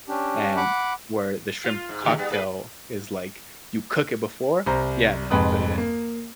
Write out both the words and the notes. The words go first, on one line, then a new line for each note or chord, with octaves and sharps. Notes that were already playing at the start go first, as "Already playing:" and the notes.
and where the shrimp cocktail is like, you cook it before Yeah, and then put it in.
C#4 D4 G4
F#5 B5 D6
F4
G#2
D3 D#3 G4
G3 B3
A#3 G#4 B4
C2 C5 A#5
F1 F2 G#2 B4 D#6
A#3